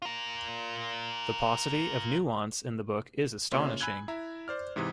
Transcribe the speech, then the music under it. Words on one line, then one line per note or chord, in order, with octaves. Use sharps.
The paucity of nuance in the book is astonishing.
F4 A#4
C#3 A#3 F4 C#5 E5 C6
G#5 B5 E6 F#6 G#6
E4 E5 A#5
C5 D5 F6
G#2 C3 E3 B4 D#6